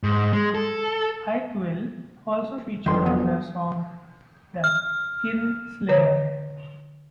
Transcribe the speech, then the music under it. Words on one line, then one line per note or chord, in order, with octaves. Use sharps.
Ike Vil also featured on their song "The Kinslayer".
G#2
G#3
A4
G1 F2 D#3 C6
F#3 B3
F6
D3 C#5